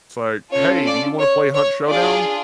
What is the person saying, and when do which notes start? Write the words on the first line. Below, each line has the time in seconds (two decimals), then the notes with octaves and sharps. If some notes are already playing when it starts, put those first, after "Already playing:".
It's like, "Hey, do you wanna play Hunt Showdown?"
0.52 C#4 F4 A4 C#5
0.86 D5
1.19 C#5
1.54 C#5
1.88 D4 F4 G#4 D5